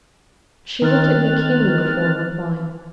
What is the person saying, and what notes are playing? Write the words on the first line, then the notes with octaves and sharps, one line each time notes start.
She looked at me keenly before replying.
D#3 C4 F6 F#6 A6